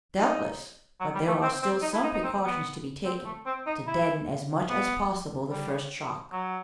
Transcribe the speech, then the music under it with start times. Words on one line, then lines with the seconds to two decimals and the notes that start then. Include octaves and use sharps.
"Doubtless; but there are still some precautions to be taken, to deaden as much as possible the first shock."
0.19 D#4
1.00 F#3
1.15 G3
1.28 A3
1.42 C4
1.62 C4
1.82 D#4
1.93 E4
2.03 D#4
2.14 D#4
2.24 C4
2.44 B3
3.05 C4
3.25 A3
3.46 C4
3.66 D#4
3.87 E4
4.69 B3
5.50 G3
6.32 F#3